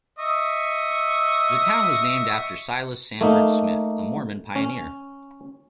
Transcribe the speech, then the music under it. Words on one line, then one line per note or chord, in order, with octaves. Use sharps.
The town was named after Silas Sanford Smith, a Mormon pioneer.
D#5 E5 C#6
A3 A#3 D#4
C#4